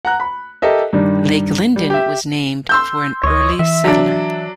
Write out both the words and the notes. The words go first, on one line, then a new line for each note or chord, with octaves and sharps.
Lake Linden was named for an early settler.
F#5 A#5 F#6
B5
G4 A4 A#4 D#5 E5
G2 D#3 G3 D4
G3
G4 E5
C6 E6 G6
D2 C#5 D#5
E3 E5
F#3 D4